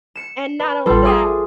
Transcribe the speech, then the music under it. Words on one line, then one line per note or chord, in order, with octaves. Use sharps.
and not only that,
C#7 E7
B4
A1 G3 F4 A4 B4
G#4 E5 D6 D#6